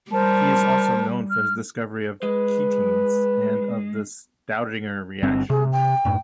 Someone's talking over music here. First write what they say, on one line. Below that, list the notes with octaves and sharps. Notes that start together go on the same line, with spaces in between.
He is also known for his discovery of ketenes and of the Staudinger reaction.
G3 A#4 C5 A5
F6
G#3 B4
G1 G2 C4
C3 G#4
G5
F#2 A2